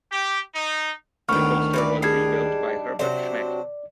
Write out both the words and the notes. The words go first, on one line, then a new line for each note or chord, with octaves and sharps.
The coaster was rebuilt by Herbert Schmeck.
G4
D#4
D2 A2 D#3 B3 G5 C#6 F6
E3 B4 D5
G3 D4 D#4 G#4 G#6 C7
C3 F#3 D4 C5 D5